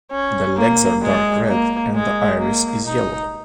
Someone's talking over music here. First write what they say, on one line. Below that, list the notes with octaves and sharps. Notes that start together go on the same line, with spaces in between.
The legs are dark red, and the iris is yellow.
C#4
A#3
G#3
A#3
G#3
A#3
D#4